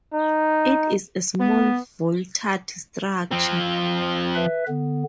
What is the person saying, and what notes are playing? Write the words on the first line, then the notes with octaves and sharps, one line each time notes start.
It is a small vaulted structure.
D#4
B3
F3 C4
B4 E5
D3 B3